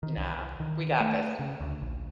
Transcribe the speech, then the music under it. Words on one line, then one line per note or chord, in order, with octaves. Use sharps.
Nah, we got this.
D#3
C2
D#3
A3
C#3
D2
A#1